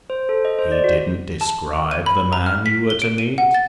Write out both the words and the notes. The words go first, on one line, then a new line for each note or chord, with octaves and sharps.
"He didn't describe the man you were to meet?"
C5
A4
D#5
C5
D5
F#4
A5
D#7
B5
A#5
F6
B6
G7
D7
D#7
F#5
A6